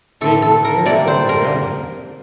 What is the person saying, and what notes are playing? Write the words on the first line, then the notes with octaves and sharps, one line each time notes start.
They prepared for rebellion.
A2 A3 C4 A4
A4
A#4
C3 G3 A#3 D5
C5
A#4